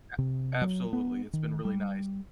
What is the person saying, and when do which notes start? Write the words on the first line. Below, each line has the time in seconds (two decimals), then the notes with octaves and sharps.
A absolutely, it's been really nice.
0.18 C3
0.61 F#3
0.93 B3
1.33 D#3
1.65 G3